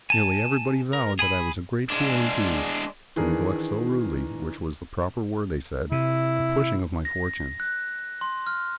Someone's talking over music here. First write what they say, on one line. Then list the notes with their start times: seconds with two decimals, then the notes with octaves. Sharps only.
Nearly everybody vowed that I was a great fool indeed, to neglect so rudely--which was the proper word, they said--the pushing of my fortunes.
0.10 G#5 A5
0.93 A#4
1.19 G#4 G#5 B5
1.90 G#3 D4
3.16 D#3 E3 D4 G#4 A#4
5.92 C3 E4
7.05 A#6
7.60 F#6
8.21 C6
8.47 F6